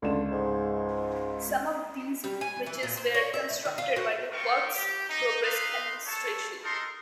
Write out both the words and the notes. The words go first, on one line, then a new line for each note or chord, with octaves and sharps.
Some of these bridges were constructed by the Works Progress Administration.
C#2 D3 E7
G#2
G3
G#5
E3
A#2
C5
C#5
E5
A3
D#3
F4
F#4
A#3 C4 F4 G4 C#6
G4
D#4
D#4 B4 E5 F5 C6
A4 C#5 A5
D#4 A4 A#4 C6